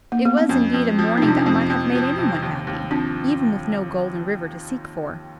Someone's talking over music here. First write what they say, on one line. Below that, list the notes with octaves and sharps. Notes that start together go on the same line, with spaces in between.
It was, indeed, a morning that might have made anyone happy, even with no Golden River to seek for.
A#3
B3
C4
F2 C#4
F2
F3
D#4
C3
D4
C#4
F2 C4
F2
F3
C3
D#2
D#2
F3 C4 D4